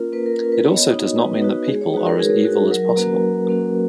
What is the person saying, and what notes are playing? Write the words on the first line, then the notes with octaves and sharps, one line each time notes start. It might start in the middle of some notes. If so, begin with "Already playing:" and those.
It also does not mean that people are as evil as possible.
Already playing: A#3 C#4 F4 A#4
A#3 B4
A#4
C#4 F4 A#4
B4
B3 C#5
D#5
C#5
D#4 F#4
B3 B4
D#4 F#4 B4
G#3 G#4
C#5
D#4 F#4 B4
A#4
G#3 G#4
D#4 F#4
F#3 A#4
A#3 C#4 F#4 B4
F#3
A#3 C#4 F#4